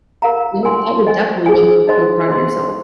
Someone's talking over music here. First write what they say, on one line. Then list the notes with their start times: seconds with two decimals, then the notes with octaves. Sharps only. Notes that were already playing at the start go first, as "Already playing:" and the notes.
Yeah, that would definitely make you feel proud of yourself.
0.22 A#4 F5 A#5
0.63 A#4 G#5 C6
1.05 C5 D#5 G#5
1.46 D#4 G#4 C5 G#5
1.88 D#4 C5 D#5 C6
2.29 C5 D#5 C6